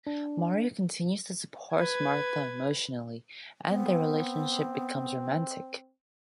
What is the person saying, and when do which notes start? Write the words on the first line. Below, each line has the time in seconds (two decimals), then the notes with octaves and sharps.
Mario continues to support Martha emotionally, and their relationship becomes romantic.
0.07 D4
1.76 B4 G#6
3.68 B3 C4